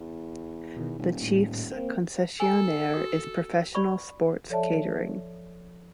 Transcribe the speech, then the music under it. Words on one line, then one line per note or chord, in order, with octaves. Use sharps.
The Chiefs' concessionaire is Professional Sports Catering.
E2
B2 D#3
D#1
A2
A#3 C4
A4 G#5 A#5
F#4 D#6
D5 B5 C#6
F3 A4 C#5 D5 E5 A5